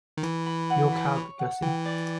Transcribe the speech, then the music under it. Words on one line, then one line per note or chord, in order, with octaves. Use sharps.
Your cab, Gussie.
D#3
E3 B5
B5
F#5
B5
C#5
F#5
E3 G5
D5